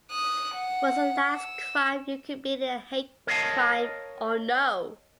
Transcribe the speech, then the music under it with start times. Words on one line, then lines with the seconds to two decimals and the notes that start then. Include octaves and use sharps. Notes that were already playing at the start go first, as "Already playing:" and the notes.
Was the last crime you committed a hate crime, or no?
0.10 D#6 F#6
0.55 F#5
1.37 E6
3.27 A#4 C#5 D#5 F5 A5